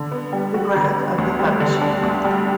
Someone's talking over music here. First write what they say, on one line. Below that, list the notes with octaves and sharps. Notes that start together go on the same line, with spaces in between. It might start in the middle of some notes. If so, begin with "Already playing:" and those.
The graph of the function.
Already playing: D3
B3
G3
F#4
D3
B3
D2
G3
D3
D4
D2
G3